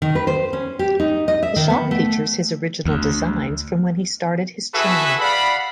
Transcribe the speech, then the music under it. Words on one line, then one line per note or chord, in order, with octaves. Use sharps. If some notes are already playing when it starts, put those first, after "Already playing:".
The shop features his original designs from when he started his channel.
D#3
B4
C5
C#4
G4
D#4
D#5
E5
D#3
B3
A3
D2
E4 F#4 G#4 A4 B4 E5
D5 F5 F#5 B5